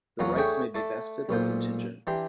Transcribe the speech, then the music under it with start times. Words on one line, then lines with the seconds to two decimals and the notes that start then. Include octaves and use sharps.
The rights may be vested or contingent.
0.19 E2 F#3 C#4 F4 F5 F#5
0.36 A3 D4 G#4 C#5 F#5 G5
0.75 A3 A4 D5
1.29 B1 A#2 F4 C5
2.07 E3 D4 G4 C6